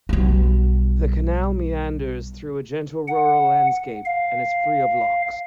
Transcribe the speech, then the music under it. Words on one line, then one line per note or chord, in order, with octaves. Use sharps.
The canal meanders through a gentle rural landscape and is free of locks.
B1 G3
F#5
F5